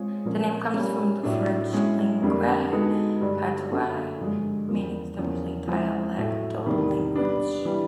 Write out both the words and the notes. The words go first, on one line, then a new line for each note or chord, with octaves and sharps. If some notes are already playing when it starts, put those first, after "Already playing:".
The name comes from the French "Langue Patois", meaning simply dialectal language.
Already playing: G#3 C4 F4 G#4 C#5
A#2 F3 A#3 C#4
G3 A#3 C#4
A2 F#3 A3 D4
G#3 C#4 E4
F2 D3 G3 A#3 D4
G#3 B3 D#4 F#4 A4
G2 D3 G3
F#2 D3 F#3 A3
G2 D3 F3 G#3
E2 C#3 F3 A#3
E2 C#3 F3 A#3 C#4
F3 G#3 C4 E4
A2 F#3 A3
E2 C3 D#3 G3 A#3
G3 B3 D4
E3 G3